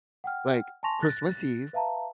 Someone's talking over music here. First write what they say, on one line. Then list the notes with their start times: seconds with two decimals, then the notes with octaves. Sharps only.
like, Christmas Eve,
0.24 F#5 G5 F6
0.83 G#5 A5 C6 C#6 A#6 F7
1.02 F#6 A6 A#6
1.73 B4 E5 F5 A5 A#5